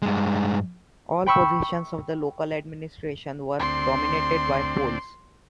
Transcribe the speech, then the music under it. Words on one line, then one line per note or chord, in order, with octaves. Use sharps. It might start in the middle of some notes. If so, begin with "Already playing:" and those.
All positions of the local administration were dominated by Poles.
G2 G#3
G5 B5 C#6 E6
D2 C4 D5 C6